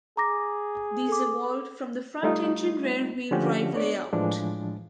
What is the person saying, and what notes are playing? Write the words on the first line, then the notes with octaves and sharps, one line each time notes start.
These evolved from the front-engine rear-wheel drive layout.
G#4 A#5 D6 A#6
A4 D6
G3 A3 D#4 F4
D3 F3 C#4 F#4 G4
B3 D4 C#5 D5
A2 E3 F3 G#3 D4